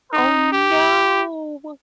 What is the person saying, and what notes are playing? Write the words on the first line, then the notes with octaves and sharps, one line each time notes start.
Oh, no.
D#4
G4